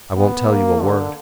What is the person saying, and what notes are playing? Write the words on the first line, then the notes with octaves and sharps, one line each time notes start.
"I won't tell you a word."
B3
A#3
D3